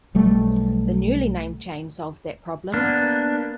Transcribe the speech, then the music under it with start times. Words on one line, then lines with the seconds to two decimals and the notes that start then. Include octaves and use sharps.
The newly named chain solved that problem.
0.15 B1 G3 A3
2.73 A#3 B3 D4